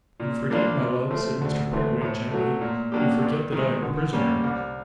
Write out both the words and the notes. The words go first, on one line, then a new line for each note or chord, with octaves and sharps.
'You forget, my love,' said Mr. Pickwick gently, 'you forget that I am a prisoner.'
A#2
G3 A#3 D4 F4
C3
F3 A3 C4
D2
C3 E3 A3 C4
A2
F#3 A3
A#2
F#3 A#3 D4 G4
G2
D#3
G#3
D3
G3 A#3 C#4
C2